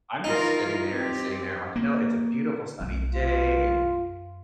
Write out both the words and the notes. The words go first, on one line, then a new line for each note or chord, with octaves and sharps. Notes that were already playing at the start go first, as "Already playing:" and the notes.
I'm just sitting there and sitting there and like, you know, it's a beautiful sunny day, and
E3 D#4 F4 A#4
C4 G4
A#3
B1 A3
F4
F#2